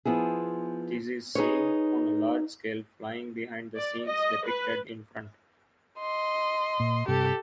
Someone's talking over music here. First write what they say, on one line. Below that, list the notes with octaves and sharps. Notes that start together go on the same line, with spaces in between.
This is seen on a large scale flying behind the scenes depicted in front.
F3 B3 E4 G#4
D#4 G#4 B4 C#5
D5
D#5
B4
D#5 C6
A#2
G2 C3 G4 A4